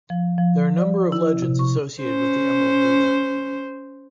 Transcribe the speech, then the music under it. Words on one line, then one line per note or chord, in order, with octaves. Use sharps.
There a number of legends associated with the Emerald Buddha.
F3
F3
D5
E4
C3
C#6
C#4 C5